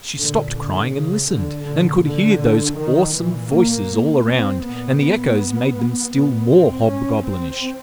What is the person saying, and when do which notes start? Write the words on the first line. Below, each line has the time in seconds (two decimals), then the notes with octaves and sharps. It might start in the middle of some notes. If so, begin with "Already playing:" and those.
She stopped crying and listened, and could hear those awesome voices all around, and the echoes made them still more hobgoblinish.
0.17 A#2 D3
0.55 D3
0.92 C#3
1.29 D3
1.66 A#2 D3
2.04 D3
2.77 D#3
3.15 A#2 E3
3.52 A#3
4.27 C4
4.64 A#2 B3
5.01 B3
6.13 A#2 B3
6.50 C4
6.86 C#4
7.24 C4